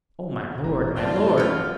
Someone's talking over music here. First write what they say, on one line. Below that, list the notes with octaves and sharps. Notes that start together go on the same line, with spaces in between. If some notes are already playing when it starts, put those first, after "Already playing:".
"Oh, my lord, my lord!"
G1 A#2 A#5
G2 C4 F4 C5 D5 A5
E3 C#4 F#4 B4 F6 C#7